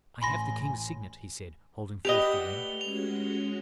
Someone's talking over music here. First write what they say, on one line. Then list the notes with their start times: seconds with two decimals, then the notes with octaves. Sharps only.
"I have the king's signet," he said, holding forth the ring.
0.22 A1 G#5 B5 C6 A#6
2.05 G4 B4 D5 D#5 F#5 E6 F7 G7
2.50 A3
2.81 G#3 C#4 F#4 F7